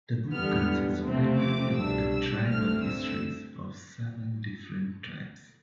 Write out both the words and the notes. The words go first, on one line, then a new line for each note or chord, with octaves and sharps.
The book consists primarily of the tribal histories of seven different tribes.
E2 D3 G3 B3 F6
C3 F3 A3 C4
D6
C2 B2 G3 D4 E6
E6
G2 D3 A3 C4 F6
E6